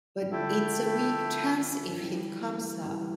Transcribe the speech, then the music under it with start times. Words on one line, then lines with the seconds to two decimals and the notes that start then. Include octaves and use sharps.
But it's a weak chance if he'd come, sir!
0.22 G3
0.31 D3 F3 A3 E4 A4 E5 G5
1.91 F3
2.00 E3 G3
2.85 E3 G3